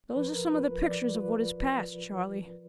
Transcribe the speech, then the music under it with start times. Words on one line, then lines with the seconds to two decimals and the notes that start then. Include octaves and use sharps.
'Those are some of the pictures of what is past, Charley.'
0.10 A#4
0.15 F3 B4
0.32 A#4
0.48 F4 B4
0.83 F3 D5
1.15 F4 B4